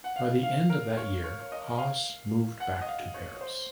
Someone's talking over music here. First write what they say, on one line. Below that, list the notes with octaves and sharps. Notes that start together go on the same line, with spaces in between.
By the end of that year Haass moved back to Paris.
F#5
F5
F5
A#4
C#5
C#5
C#5
D#5
F5
F#5
D#5
F5
C#5
C#5
C5